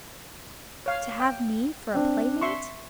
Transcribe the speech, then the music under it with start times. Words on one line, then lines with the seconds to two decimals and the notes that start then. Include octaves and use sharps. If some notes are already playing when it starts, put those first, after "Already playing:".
"To have me for a playmate?"
0.86 C#5 F5
1.20 G5
1.94 C4 D4
2.41 E5 C6 C#6